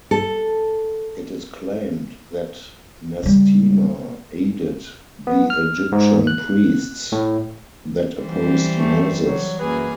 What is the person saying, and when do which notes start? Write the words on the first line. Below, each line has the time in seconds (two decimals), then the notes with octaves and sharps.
It is claimed that Mastema aided the Egyptian priests that opposed Moses.
0.11 A4
3.23 C#3 G3
5.27 B3
5.50 F6
5.92 G#2
6.27 F#6
7.12 A2
8.19 E3 G3 C5
8.78 A3
9.25 F#3
9.59 F#2 A#3 G#4 B4